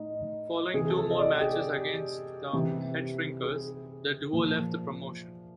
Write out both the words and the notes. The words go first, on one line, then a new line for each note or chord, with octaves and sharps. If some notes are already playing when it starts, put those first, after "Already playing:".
Following two more matches against The Headshrinkers the duo left the promotion.
Already playing: A2 D#4
C3 E3 G#4
A4
G#4
D#5
D5
G4
G#4
C3 E3
G#4
A#2 F3